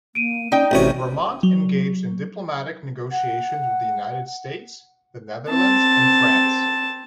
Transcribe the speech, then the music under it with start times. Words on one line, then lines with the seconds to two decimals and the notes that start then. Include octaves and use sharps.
Vermont engaged in diplomatic negotiations with the United States, the Netherlands, and France.
0.15 A#3 D7 D#7
0.52 C#4 D#4 D5 G5
0.71 A1 C3 F#4 C#5
1.43 F#3
3.11 F#5
5.50 C4 A5